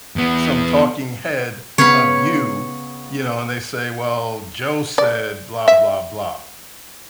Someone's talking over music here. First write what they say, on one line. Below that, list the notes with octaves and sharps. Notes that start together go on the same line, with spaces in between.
some talking head of you, you know, and they say, "Well, Joe said, 'Blah, blah, blah.'"
E2 B3
C#3 B3 C#5 F5 B5
D5
E5